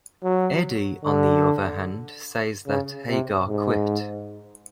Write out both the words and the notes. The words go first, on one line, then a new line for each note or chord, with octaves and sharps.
Eddie, on the other hand, says that Hagar quit.
F#3
D3
C#3
C3
G#2